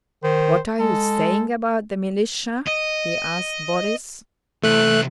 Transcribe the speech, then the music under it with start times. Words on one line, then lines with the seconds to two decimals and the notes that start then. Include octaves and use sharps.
"What are you saying about the militia?" he asked Boris.
0.23 D#3 C5
0.79 G#3 A4
2.67 D#5
4.63 C3 E3 A3 F#6